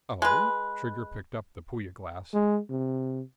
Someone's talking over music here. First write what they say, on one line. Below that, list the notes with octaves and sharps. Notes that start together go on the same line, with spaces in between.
"Oh?" Trigger picked up the Puya glass.
G#3 B4
G#3
C3